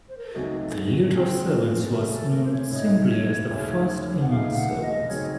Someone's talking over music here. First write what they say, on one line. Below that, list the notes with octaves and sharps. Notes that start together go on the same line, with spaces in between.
The leader of the Servants was known simply as the First Amongst Servants.
C5
A#4
A4
C#2 C3 F#3 A3 D#4 F#4
A4
F#4
A4
C#3 F3 C4 F#4
F4
F#4
F4
F4
A4
C#3 A3 C#4 F#4
A4
A#4
C5
C#5
A2 A3 D#4 C#5
D#2 C#3 F#3 A3 C#4
F#5
C#2 C#3 A3 D#4 F5
F#5
D#5
C#3 F#3 C4 D#4 C#5